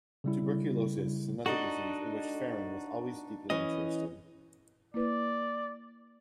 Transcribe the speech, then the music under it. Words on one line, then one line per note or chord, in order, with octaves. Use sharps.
Tuberculosis is another disease in which Ferran was always deeply interested.
C#3 G3 E4
D4 D#4 F#4 A4 D#5
E3 C#4 D#5
A#3 E4 B4 D5